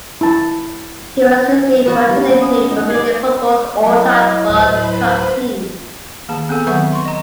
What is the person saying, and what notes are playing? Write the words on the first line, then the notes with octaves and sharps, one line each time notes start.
He was recently voted into Romanian footballs all-time World Cup team.
E4 A5
B3 F#4
G3 E4 B4
A#3 C#4 G#5
D#6
D#4
G#4 D5
F#3 E4 D#5
D2 A2 B4 C5 B5
D#3 A#3 G#4 A5
B3 C4 G#4 A4
D#3 F#3 C4 E5 F#5 C#6
C6 C#6
D#5 A#5